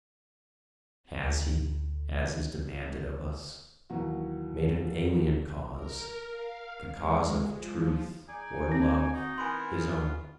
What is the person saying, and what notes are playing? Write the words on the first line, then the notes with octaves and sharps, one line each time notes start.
Has he, as is demanded of us, made an alien cause, the cause of truth or love, his own?
D2
D#2 E3 F#3 F#4
A#4
F5
G#3
F3
D#4 G#4 D5 G#5
C4
D#4 F#4
E3 B3 A#4 G#5 B5 C6
F4